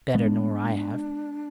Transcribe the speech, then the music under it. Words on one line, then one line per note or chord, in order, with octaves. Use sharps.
Better nor I have.
G#3 B3 D4